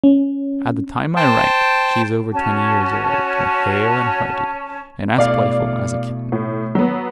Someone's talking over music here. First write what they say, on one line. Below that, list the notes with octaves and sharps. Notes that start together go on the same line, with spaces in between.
At the time I write, she is over twenty years old; but hale and hearty, and as playful as a kitten.
C#4
C5 G5 A5
C#4 F#4 A5
B2 A3 E4 D5 F5
A2
F#3 B3